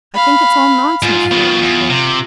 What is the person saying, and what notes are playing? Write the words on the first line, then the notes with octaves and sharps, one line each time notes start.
I think it's all nonsense for 'em to go.
F5 B5
G#2 F4
B2 D#3
E2
C3